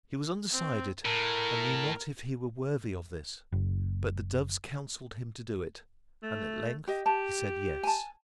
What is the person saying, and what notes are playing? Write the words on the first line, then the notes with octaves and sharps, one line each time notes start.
He was undecided, and knew not if he were worthy of this, but the doves counselled him to do it, and at length he said yes.
C4
A2 A#4
F#1
A3
G4 D#5
G4 A5
G#5 A5